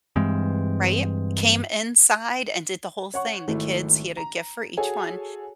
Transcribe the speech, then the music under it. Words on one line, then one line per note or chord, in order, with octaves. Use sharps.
Right. Came inside and did the whole thing. The kids he had a gift for each one.
G2 E3 G#3 C4
C#5 F#5 C#6
G#1 A3 E4
A#5
F#4 G#4 A4 C#5 G#5